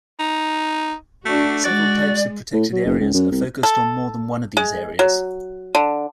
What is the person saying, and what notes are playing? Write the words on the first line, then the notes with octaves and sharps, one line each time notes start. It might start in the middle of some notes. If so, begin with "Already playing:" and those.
Several types of protected areas are focused on more than one of these areas.
D#4
A3 D4 F#4
G#3 F#4 D5
A2
F#3
F#1
C#2
F#2
C2
A4
G#3
F#3
D3